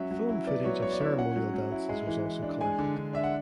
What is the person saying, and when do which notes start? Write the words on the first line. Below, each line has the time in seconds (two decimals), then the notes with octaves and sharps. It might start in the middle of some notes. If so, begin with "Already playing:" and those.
Film footage of ceremonial dances was also collected.
Already playing: F#3 C#4 E5
0.11 F#3
0.29 E4
0.47 B3 D5
0.64 F#3 C#5
0.82 F#3 C#5
0.92 D5
1.00 E4 E5
1.18 C#4 F#5
1.36 F#3
1.54 F#3
1.72 E4
1.89 G#3
2.07 E3
2.25 E3
2.43 D4
2.61 G#3 G#5
2.79 D3
2.96 D3
3.13 D4 E5
3.24 F#5